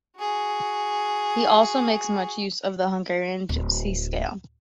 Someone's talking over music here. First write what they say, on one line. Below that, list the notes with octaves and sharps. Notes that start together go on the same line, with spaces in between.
He also makes much use of the Hungarian gypsy scale.
F#4 G#4
D1